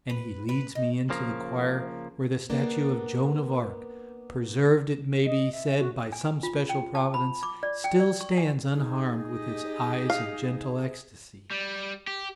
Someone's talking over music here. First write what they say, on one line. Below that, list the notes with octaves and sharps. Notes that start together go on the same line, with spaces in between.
And he leads me into the choir where the statue of Joan of Arc, preserved it may be said by some special Providence, still stands unharmed, with its eyes of gentle ecstasy.
B4
B4
D#4
C#3 F3 A#3
A#3 B3 D4
D#5
E5
F#4
G#5
F4
G5
A5
B5
D6
D5
G5
D5
C#6
G#5
D#4 G#4
G4 D#5
F5
G3
G4